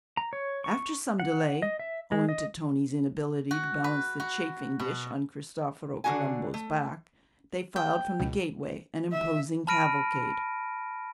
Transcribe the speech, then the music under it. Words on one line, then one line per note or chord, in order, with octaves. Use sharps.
After some delay--owing to Tony's inability to balance the chafing-dish on Cristoforo Colombo's back--they filed from the gateway, an imposing cavalcade.
A#5
C#5
C#6
F#5
D#5
E5
G#3
D#5
F#4
B4
F#4
B2
D3 D4 F#4 F#5 G#5
A3
G5
C#2 B2
E5
A5 B5 F6 A#6 D7 D#7